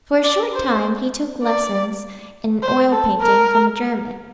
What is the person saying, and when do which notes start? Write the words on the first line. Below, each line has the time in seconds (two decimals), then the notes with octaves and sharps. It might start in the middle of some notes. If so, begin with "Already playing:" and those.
For a short time he took lessons in oil painting from a German.
0.24 D5
0.53 C5
1.43 D5
2.62 C5
2.92 A4
3.22 A#4